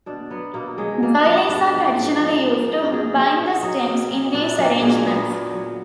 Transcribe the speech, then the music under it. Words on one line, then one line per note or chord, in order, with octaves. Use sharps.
Doilies are traditionally used to bind the stems in these arrangements.
B2 D4
F#3 B3
B2 A#3
F#3 G#3
B2 A#3
F#3 B3
G#2 D4
F3
G#2
F3
G#2
F3
A#4
B2 G#4
F#3 G#4
B2 F#4
F#3 D#4
B2
F#3
A#2 D4
F#3 A#3
A#2 G#3
F#3 B3
A#2
F#3